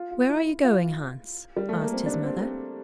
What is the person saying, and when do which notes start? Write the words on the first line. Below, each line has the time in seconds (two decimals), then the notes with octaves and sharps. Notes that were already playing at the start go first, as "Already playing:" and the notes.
'Where are you going, Hans?' asked his Mother.
Already playing: F4
0.11 F4
0.29 E4
0.64 F4
1.56 G3
1.69 A3
1.81 A#3
1.93 C4
2.06 D4
2.24 C4
2.41 C4